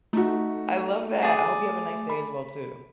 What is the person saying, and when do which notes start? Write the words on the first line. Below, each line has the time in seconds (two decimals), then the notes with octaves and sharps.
I love that, I hope you have a nice day as well, too.
0.13 A3 D#4 F#4
1.22 G#4 D5
2.09 B5